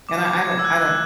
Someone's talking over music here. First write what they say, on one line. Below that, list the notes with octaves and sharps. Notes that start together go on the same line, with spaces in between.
and I I don't I don't
D6
D6
G#6
G#6
E6
F#6
E6